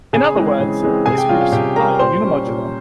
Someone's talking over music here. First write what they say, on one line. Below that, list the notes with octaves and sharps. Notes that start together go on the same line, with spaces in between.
In other words, these groups are unimodular.
C#3 G#4 G#5
E3 G#3 C4
C#3
E3 G#3 C4
C3 G#4 G#5
G4 G5
G3 C#4 F4 F5
F4 F5
C3 G4 G5
G3 C#4 A#4 A#5
A#2 C5 C6
G3 C#4
A#2